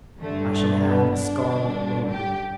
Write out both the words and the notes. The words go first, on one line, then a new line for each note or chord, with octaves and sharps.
I shall have a scarlet robe.
G2 D3 A3
A3
B3
D4
G2 D3
G4